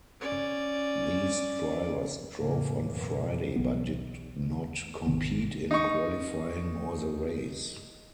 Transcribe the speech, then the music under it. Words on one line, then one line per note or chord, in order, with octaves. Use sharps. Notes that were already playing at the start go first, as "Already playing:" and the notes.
These drivers drove on Friday but did not compete in qualifying or the race.
C#4 D5
A2 C#3 A#3
F#2 B2 E3 A#3
B1 E3 F#3 B3
G#1 C3 D#3 B3
D#4 C#6